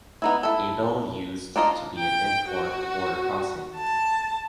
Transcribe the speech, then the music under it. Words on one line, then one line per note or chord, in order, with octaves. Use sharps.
Abele used to be an import border crossing.
B3 D#4 E4
E4 A4
D4 D#4 F4 D#5
G5
F#4
A5